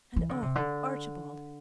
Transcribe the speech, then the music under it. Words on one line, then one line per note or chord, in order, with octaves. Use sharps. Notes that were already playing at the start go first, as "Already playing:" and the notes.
And, oh, Archibald!
E3
D3
C3
D3